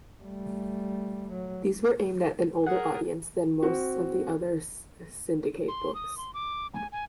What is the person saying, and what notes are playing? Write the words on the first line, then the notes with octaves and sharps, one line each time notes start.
These were aimed at an older audience than most of the other syndicate books.
G3 A3
F#3
G#4 A#4 F#5
C4 F#4
C6
D#6
C6
D6
G#5
G#5